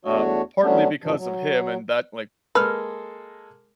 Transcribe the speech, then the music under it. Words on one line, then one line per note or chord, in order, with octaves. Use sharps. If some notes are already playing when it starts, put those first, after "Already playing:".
Um, partly because of him and that like,
E2 A3 D4 F#4 C#5
F#3 G3 A3 B3 C#4 D4
G#2 C3 E3 F3 D4
F#3
G#3 A#3 A4 B4 E6 F6